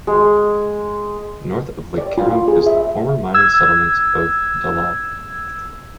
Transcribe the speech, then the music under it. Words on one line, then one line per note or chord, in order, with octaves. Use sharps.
North of Lake Karum is the former mining settlement of Dallol.
G#3
D5
F4
G#4
E5
E6 G#6